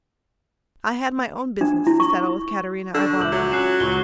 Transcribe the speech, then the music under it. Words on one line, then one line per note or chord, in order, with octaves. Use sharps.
I had my own business to settle with Katerina Ivanovna.
D4
E4
C#6
D3 D4 C#6
C#2 E5 D6 G6 F#7
F#3
C#4 F#6 C7 E7
C#2 C#6 G7